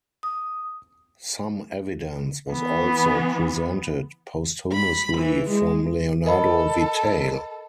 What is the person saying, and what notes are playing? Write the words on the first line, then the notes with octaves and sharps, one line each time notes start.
Some evidence was also presented posthumously from Leonardo Vitale.
D#6
E3 B3
B5
E3
G#3
A4 A#4 D#5 B5